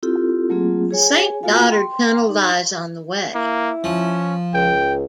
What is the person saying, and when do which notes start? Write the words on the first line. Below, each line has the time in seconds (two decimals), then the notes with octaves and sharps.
The Saint Gotthard Tunnel lies on the way.
0.03 C4 E4 F4 G4 A4
0.50 F#3 A3 A#3 C4 F4 G#4
0.91 G#4 C#5 G#5
1.43 A#3 F4 F#4 A4 F5 G#5
1.68 G5 C6
2.29 D#4
3.35 A#3 E4
3.84 F3 C#4
4.54 C#2 G5